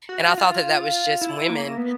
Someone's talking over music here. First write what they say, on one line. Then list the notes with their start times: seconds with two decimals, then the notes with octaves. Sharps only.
and I thought that that was just women,
0.09 F#4
0.38 F4
1.21 E4
1.50 A#3
1.77 B3